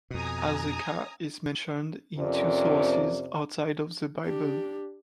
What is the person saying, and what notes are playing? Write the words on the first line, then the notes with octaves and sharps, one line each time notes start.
Azekah is mentioned in two sources outside of the Bible.
F2 B2 G#5 A#5 D#6
F2 C3 C#4 A#4 D5
D4 G4